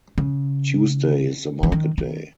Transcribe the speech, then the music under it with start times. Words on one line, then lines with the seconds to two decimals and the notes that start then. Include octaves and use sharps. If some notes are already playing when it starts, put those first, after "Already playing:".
Tuesday is the market day.
0.18 C#3
1.63 E3
1.72 D#3
1.98 D#3